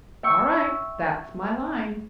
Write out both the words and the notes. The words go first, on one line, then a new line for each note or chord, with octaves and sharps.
"All right--that's my line."
E5 G5 C#6 E6